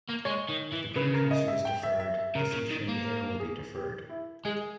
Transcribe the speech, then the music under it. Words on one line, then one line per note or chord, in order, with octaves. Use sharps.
If the precursor is deferred, the feature in the heir will be deferred.
A#3
G#3 C#5
D#3
E3
C#3 B4
A#4
D#5
E5
G5
E5
E5
E5
C#3 A#4
C#3
D#3
A#3
A#4
G#4
G4
E4
G#3 G#4